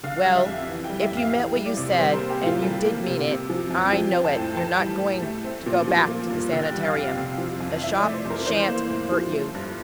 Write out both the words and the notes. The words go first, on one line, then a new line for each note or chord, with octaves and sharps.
Well, if you meant what you said--and you did mean it, I know it!--you're not going to go back to the sanitarium. The shop sha'n't hurt you.
D3 F5
G3
E5
F2
E3
G5
G3
E5
A2
F5
E3
G3
D5
C3
G3 C5
A#4
A#3
G4
A2 F4
G3 A4
A#3
C3
C3
F3
F2
F3 G5
C4
A5
A2
E3 A5
G3
A2
A3
C4
A#2
F3
A#3
G2
D3 G5
G3
F5
F2
C3
F3
F2
E3 E5
D5
A3
C5
F2
A#4
E3 C5
A#3
A2
F3
A3
G2